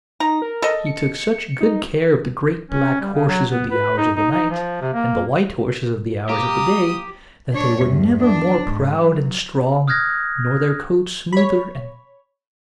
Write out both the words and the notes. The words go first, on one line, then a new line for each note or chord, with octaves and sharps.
He took such good care of the great black horses of the Hours of the Night, and the white horses of the Hours of the Day, that they were never more proud and strong, nor their coats smoother and more gleaming.
D#4 A#5
A#4
A4 D#5
C#7
D#4
C#4
G3
C#3
F#3
B3
B4
D#4
D#4
D#4
F3
C3
A#3
A#3 G4 A#5 D#6
D4 C#5
E2 G2
D4
G#2
F#3
D#6 F6 F#6 G#6 A#6
C#5 B5